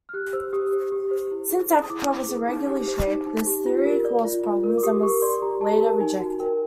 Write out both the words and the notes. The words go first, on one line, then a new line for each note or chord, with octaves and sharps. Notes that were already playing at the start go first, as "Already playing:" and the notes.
Since Africa was irregularly shaped, this theory caused problems and was later rejected.
F6
G4 F#6
C5 E6
G4 D#6
C5
G4
C5
E4
G#4
C5
D#6
E4 D6
E4
G#4
D#4 D6
G4
C5
D#4
D#4
G4
F4
A#4
D5
F4
F4
A#4
D6
G4 D#6
A#4 C#6
D5 C6
G4 A#5
G4 A5
A#4 A5
D#4 G#5
F#4
A#4 G5